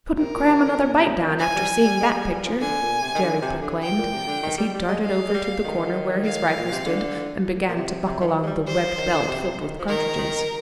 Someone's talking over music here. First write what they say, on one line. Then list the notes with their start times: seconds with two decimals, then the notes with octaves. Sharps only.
"Couldn't cram another bite down, after seeing that picture!" Jerry proclaimed, as he darted over to the corner where his rifle stood, and began to buckle on the webbed belt filled with cartridges.
0.18 C3 A#4
0.34 A#2
0.49 C3
0.64 D3
0.79 A#2
0.99 C3
1.20 D#3
1.39 F3 G#5
1.55 G3
1.85 G3
2.01 G#3
2.15 G3
2.31 G3
2.45 F3
2.61 D3 G#5
2.82 A#2
3.02 C3
3.14 D#3
3.22 D3
3.42 C3
3.62 D3
3.82 G5
3.98 A#2
4.12 C3
4.27 D3
4.43 D#3
4.58 G3
4.74 G3
4.88 G#3
5.04 G#3 F5
5.28 G#3
5.34 G3
5.64 D#3
6.25 F5
6.57 A#2
6.72 C3
6.85 D3
7.68 A#2
7.76 C3
8.07 C3
8.21 D#3
8.27 F3
8.43 G#3
8.47 G3
8.67 G3 C5
8.83 F3
8.97 D#3
9.13 D3
9.28 C3
9.58 D#3
9.79 F3
9.88 D#3 A#4
10.19 D#3